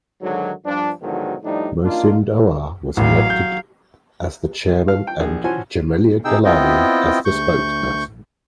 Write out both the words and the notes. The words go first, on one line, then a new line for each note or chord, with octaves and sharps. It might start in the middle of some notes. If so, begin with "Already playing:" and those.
Mohsin Dawar was elected as the chairman and Jamila Gilani as the spokesperson.
G#2 D3 D#3 F#3
G2 F3 D4
G#2 B2 D3 D#3 F3 F#3
A2 F3 G3 D4 D#4
A#3 D4 D#4 F4
A1 F#3 F5
G6
F5 F6
G5
A#1 G#4
E3 F3 C#4 F#4 C5 G#5
C3 D#4 G#4 G5 E6
B3 C4 E4 F4 D#5 G5
D2 C#6 G6